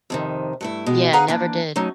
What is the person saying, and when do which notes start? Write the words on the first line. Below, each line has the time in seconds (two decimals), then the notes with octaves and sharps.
Yeah, never did.
0.10 F2 C3 D#3
0.61 G2 A3 E4
0.86 B2 G#3 G4
1.13 G#4 B4 F5 F#5 A#5
1.28 E3 A#3 D4
1.76 F#3 A3 C#4 D#4